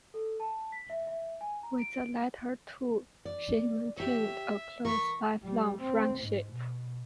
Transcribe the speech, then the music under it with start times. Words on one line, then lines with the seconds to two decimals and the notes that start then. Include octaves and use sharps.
With the latter two she maintained a close lifelong friendship.
0.14 A4
0.40 A5
0.72 B6
0.90 E5
1.07 E5
1.41 G#5
1.63 A#5
1.80 D7
3.25 D5
3.97 G4 C#5 E5
4.85 A#4 C#6 B6
5.43 G3
5.81 C4
6.21 G#2
6.52 B2